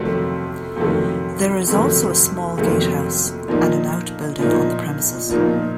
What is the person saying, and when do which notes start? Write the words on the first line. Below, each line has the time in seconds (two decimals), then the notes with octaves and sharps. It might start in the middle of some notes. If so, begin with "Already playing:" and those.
There is also a small gatehouse and an outbuilding on the premises.
Already playing: F2 C3 D#3 F#3 A3
0.76 F2 C3 D#3 F#3 A3
1.67 F2 C3 D#3 F#3 A3
2.57 F2 C3 D#3 F#3 A3
3.48 A#2 F3 A#3 D#4
4.39 A#2 F3 A#3 D#4
5.29 A#2 F3 A#3 D#4